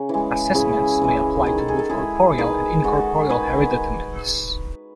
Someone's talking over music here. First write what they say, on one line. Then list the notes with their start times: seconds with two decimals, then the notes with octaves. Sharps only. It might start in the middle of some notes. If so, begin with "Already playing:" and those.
Assessments may apply to both corporeal and incorporeal hereditaments.
Already playing: C#3
0.09 E3 G#3
0.54 C#3 E4 G#4
1.01 E3 G#3
1.46 D#3 G#4
1.58 A4
1.68 G#4
1.79 A4
1.89 G#3 E4 G#4
2.38 D#3 G#4 B4
2.84 G#3 F#4 A4
3.30 D#3 G#4 B4